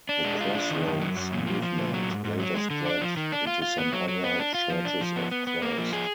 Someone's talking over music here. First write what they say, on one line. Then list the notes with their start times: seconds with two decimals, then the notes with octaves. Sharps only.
The Crossroads Movement later spread into some other Churches of Christ.
0.09 D4
0.24 G#3
0.40 F4
0.55 D4
0.70 D#3
0.86 F#2
1.01 F#3
1.17 F#2
1.32 A#2
1.47 F3
1.63 F3
1.78 A#2
1.94 F#3
2.09 G#2
2.25 G#2
2.39 F#3
2.55 G#3
2.70 D3
2.86 D4
3.01 F3
3.17 D#3
3.32 D4
3.47 F4
3.62 F4
3.78 B3
3.93 F#3
4.08 F#3
4.24 B3
4.39 D4
4.54 F4
4.70 F3
4.85 D4
5.01 F3
5.16 B3
5.31 B3
5.47 B3
5.62 A#3
5.78 F3
5.93 G#4